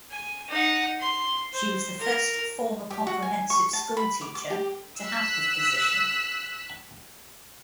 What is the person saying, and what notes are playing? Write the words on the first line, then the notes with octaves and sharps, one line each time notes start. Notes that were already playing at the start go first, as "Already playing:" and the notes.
She was the first former comprehensive school teacher to have the position.
G#5
D#4 F#5
C6
C5
A#4
G4
F#4
G#5
C#6
A5
B5
D6
D6
G4
E6 F#6 B6